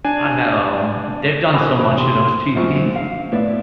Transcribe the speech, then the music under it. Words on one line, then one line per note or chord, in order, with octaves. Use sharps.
I know, they've done so much to those TVs.
D4 G#5
B2 E3 D4 A#4 C5
F#2 C3
G4 C6
A#1 F#2 F3 C#6
F5
A2 B3 D5 E5